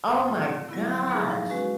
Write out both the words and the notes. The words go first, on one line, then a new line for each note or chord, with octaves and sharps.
Oh my gosh.
A2
F3 A3 C4 F4
D3
F#3 B3 E4
F3
A#3 D#4 G#4
F3
G#3 C#4 F#4 B4